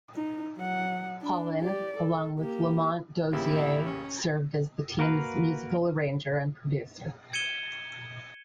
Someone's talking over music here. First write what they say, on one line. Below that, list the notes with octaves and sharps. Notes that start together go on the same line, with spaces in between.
Holland, along with Lamont Dozier, served as the team's musical arranger and producer.
D#4
F#3 F#5
D4
G4 D5
A4
A#3 G4
A1 C#3 A#3 E4 G4
C#4
A#3 F#4 A#4 B4 F5
G#6 C#7 D#7 E7 G7